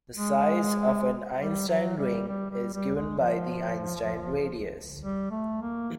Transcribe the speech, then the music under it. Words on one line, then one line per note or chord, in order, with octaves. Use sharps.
The size of an Einstein ring is given by the Einstein radius.
G#3
G3
F#3
G3
G3
G3
G3
G#3
F3
G3
A3
A#3